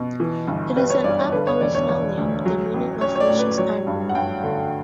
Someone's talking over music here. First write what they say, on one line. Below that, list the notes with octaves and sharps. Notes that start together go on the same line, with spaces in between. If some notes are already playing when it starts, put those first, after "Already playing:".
It is an Aboriginal name, the meaning of which is unknown.
Already playing: B2
E3
G1
G3 B4
C#5
G2 D5
C#5
D3 B4
C#5
E1 D5
C#5
E1 C#5
D2
F#3
A1
C#4 C#5
C#5
D5
A2
B4
F#3 C#5
G2
F#5
G2 G5
D3